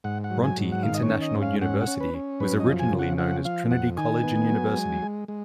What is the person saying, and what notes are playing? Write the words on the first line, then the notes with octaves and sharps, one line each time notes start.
Bronte International University was originally known as "Trinity College and University".
G#2 F#5
F#5
F#3
G#5
G#2
F#5
D#3 F5
D#5
C#5
C#4
D#5
G#2
F5
C#4 F#5
F#5
C#4
B4
C#4
F#2 B4
D#5
F3
G#5
C#3
F#5
F3 F#5
F3 F5
F2 F#5
D#3 G#5
B3
F#3
G#3
G#3
G#3